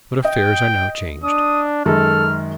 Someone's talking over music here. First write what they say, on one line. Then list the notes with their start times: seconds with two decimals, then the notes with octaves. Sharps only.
But affairs are now changed.
0.25 D#5 G5
1.23 D4 D#6
1.86 F#2 D#3 G#3 A4 F6